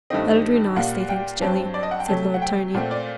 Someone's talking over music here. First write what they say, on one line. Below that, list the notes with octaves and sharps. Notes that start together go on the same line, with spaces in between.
"That'll do nicely, thanks, Jelly!" said Lord Tony.
G2 D#3 A3 C4 D#5
A#2 G3 A#3 F#5
G5
G2 F#3 C4 A5
D5
D#5
F#5
G5
C3 F#3 A3 A5
F#5
G5
A#2 A3 C4 F#5
D5